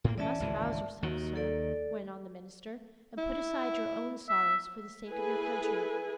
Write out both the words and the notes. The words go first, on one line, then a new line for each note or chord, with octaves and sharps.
'You must rouse yourself, sir,' went on the minister, 'and put aside your own sorrows for the sake of your country.'
A2 A#3
E3 B3 C#4 D5 E5 A5
G#1 C#2 E3
D#2 D#3 F#4
A4 D5
E4
E5
E4 G#4 A4 B4 G#5